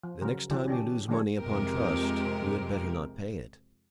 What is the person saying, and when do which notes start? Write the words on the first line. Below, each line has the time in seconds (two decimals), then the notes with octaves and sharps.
"The next time you lose money upon trust, you had better not pay it."
0.03 F3
0.21 C#3 F#3 A#4
0.50 D3 E3 F#3 G4
0.67 C#3 C#4 D4 G4
1.08 D3 F3 G#3 D4 G#4 C#5
1.38 F2 C3 G#3 G4 A#4